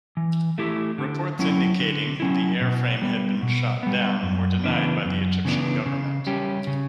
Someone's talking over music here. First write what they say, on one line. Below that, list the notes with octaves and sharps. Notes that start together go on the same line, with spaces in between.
Reports indicating the airframe had been shot down were denied by the Egyptian government.
E3
A3 E4 G4
D3
F#3 C#4 E4
D3
F#3 C#4 E4
B2
G3 B3
B2
G3 B3
F#2
C#3 E3 B3 D4
F#2
C#3 E3 B3 D4
C#3
G3 C#4 G4
C#3